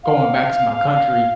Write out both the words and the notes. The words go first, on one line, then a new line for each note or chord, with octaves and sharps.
going back to my country
F5